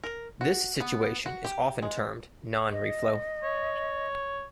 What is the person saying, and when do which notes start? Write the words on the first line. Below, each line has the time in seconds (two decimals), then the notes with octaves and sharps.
This situation is often termed non-reflow.
0.04 A#4
0.41 F#4
0.80 B3
1.26 F#4
1.45 G4
1.82 G#3
2.72 D#5
3.43 C#5